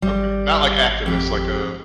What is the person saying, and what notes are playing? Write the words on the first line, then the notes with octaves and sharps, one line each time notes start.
Okay, not like activists like a
G#1 G3
F2 G4